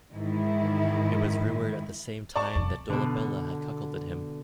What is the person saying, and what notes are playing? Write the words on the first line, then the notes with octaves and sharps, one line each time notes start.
It was rumoured at the same time that Dolabella had cuckolded him.
G#2 D#3 E3 E4
D5 A5 C#6
B1 F2
B2 D3